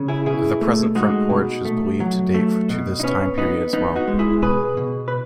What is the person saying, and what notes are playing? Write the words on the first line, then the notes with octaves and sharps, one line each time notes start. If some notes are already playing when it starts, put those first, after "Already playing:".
The present front porch is believed to date to this time period as well.
Already playing: C#3
E4 G#4
B2 E4 G#4
A3
G#3 D#4 F#4
B2
A3
F#3
A3
B2
D#4
B3 C#4
B3 D#4
B3 D#4
D#4 F#4
G#3
E4 G#4
B2 G#4 B4
B2
B4